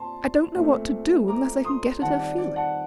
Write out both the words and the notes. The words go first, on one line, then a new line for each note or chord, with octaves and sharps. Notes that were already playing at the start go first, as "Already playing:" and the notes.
"I don't know what to do, unless I can get at her feeling."
Already playing: A#2 C4 A5 C6
A#2 A3 C4
A#5 D6
C6 D#6
D#3 G3 C4 F#5 A5
D5
D5
F#5 A5